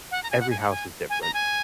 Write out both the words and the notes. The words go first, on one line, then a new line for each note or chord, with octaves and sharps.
every house is different,
F#5
A#5
G#5
F#5
G#5
F#5
G#5
G#5
A#5
G#5